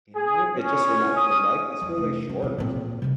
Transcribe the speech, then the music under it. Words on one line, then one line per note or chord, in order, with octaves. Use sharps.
you know, it just reminds me life is really short,
G#4
C#4
D#6
F2
F1
C#4
B2 C4
A#2 C4
C3 D#3